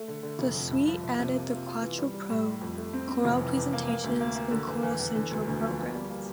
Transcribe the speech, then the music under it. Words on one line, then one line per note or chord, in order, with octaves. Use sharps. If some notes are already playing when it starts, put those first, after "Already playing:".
This suite added the Quattro Pro, Corel Presentations and CorelCentral programs.
Already playing: A3
D3
D3
F1
F2
C2
F3
C2
C3
A#3
F4
F4
E3
G3
G3
A2
G3
F2
A3
C4
C4
F1
E3
E2
A#3
A#3
D2
A#3
A#3
D3
E2
E2
E2
D3
D2
D2
F3
A#3
G3
A#3